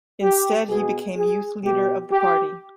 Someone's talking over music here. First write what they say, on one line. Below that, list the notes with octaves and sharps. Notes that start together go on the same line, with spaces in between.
Instead he became youth leader of the party.
G4
B2 G#4
G#4
B2 G4
G4